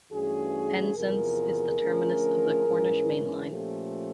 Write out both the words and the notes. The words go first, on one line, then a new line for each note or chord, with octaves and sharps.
Penzance is the terminus of the Cornish Main Line.
G2 E3 A3 C#4 F#4 G#4
E2 C3 F3 G#4 A#4
D3 F3 A3 C#4
G#2 E3 G#3 C#4
A#2 F3 A3 C#4 G4 A4